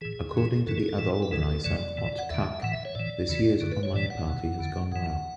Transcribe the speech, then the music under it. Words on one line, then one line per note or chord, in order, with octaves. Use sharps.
According to the other organizer Ott Kukk, this year’s online party has gone well.
A2 E3 G#4
F#2 C#3 E3
F#2 C#3 E3 A4
G#4
A4
A2 E3
B4
G#2 E3 A4
F#2 C#3 E3 D5
A2 E3
F#5
E2 D3 E5
A2 E3 F#5
E5
C#5
A2 E3 D5
E2 C#3 E3
F#2 D3
B4
C#5
A2 E3 D5
F#5
E2 B2
E2 D3
G#2 E3 F#5